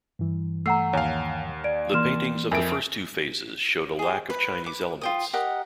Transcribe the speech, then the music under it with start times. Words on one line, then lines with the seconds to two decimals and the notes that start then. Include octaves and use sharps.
The paintings of the first two phases showed a lack of Chinese elements.
0.19 G2 E3
0.66 A3 F#5 A#5 E6 C7
0.93 D#2 C#5 F5 G#5
1.64 D5 D7
1.93 E3 A#3 C6 F6 E7
2.52 F2 A#4 E5 G#5 D7
3.99 G4 G#4
4.30 B4
4.64 B4 D6
5.01 F4 G5 D#6
5.33 G4 A#4 D#5 F#5